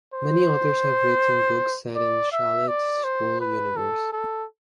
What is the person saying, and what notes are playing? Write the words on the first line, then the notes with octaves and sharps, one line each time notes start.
Many authors have written books set in the Chalet School universe.
C5
D5
E5
D5
C5
B4
A4
A4